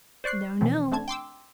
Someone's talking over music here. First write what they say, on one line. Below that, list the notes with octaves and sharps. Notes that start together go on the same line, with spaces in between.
No, no.
C5 D5 C#6 F#6 C7
B2 E3 F3 C4
A3 C4 D4 A5 G#6
G5 C6 D6 E6